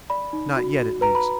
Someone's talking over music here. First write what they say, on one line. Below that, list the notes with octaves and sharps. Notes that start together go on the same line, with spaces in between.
Not yet, at least.
D5 B5
D#4
F#4
F#4
B4 A#5
B5